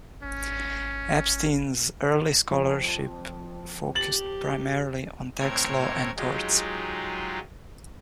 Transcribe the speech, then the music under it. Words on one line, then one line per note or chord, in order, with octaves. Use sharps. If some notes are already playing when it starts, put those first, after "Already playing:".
Epstein's early scholarship focused primarily on tax law and torts.
G#1 C#4
F2
G4 A6 F#7
A2 C4 A#4 C#5 G#6
F#3 G#3 D#4 F4 G4 G#4